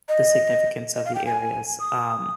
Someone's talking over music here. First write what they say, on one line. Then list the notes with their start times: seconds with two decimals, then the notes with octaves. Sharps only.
the significance of the areas. Um,
0.08 D#5
0.95 D#5
1.05 F5
1.15 G5
1.26 G#5
1.80 D#6